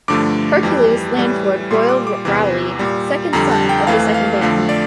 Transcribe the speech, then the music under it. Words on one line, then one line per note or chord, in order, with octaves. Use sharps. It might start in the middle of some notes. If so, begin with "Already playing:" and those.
Hercules Langford Boyle Rowley, second son of the second Baron.
G2 D3 F3 A3 D6
F2 E3 G3
A2 E3 G3
A#2 G3 C6
D6
D6
E2 C3 E3 D6
A#2 G3
F2 D3 G3 A#5
A5
G5
F2 E3 A3 F5
F5
F2 D3 F3 A3 F5
D5